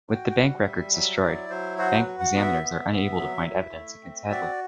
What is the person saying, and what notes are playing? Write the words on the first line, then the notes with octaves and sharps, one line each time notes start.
With the bank records destroyed, bank examiners are unable to find evidence against Hadley.
F#4 G5
G5
G3 F#5
G3 E5
F#3 E5
E4 D5
F#3 C5
F#4 C5
B4
F#4
F#5
B3 F#5
E5
B3
B3
F#3
E4
A3
C4
F#4 D5